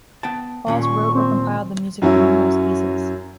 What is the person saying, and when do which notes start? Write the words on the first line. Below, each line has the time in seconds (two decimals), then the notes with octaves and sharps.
Hawes wrote or compiled the music for numerous pieces.
0.23 B3 G5 A5
0.67 D#2 A#2 C#4
0.82 C#6
1.14 C4
2.02 F#2 F#3 C#4 E4